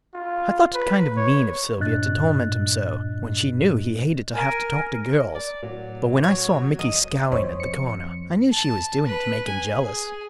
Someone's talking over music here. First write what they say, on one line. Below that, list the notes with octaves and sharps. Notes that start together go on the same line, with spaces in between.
I thought it kind of mean of Sylvia to torment him so, when she knew he hated to have to talk to girls, but when I saw Micky scowling at the corner, I knew she was doing it to make him jealous.
F4
B4
C#5
G2 A#2 D4 D#5 F#6 A6
A#4 G#5 F6
D5
A2 F#3
C#5
D1 D#5
F2 C5 C#5 D#5
C#7
A5
B4
G#5
G#4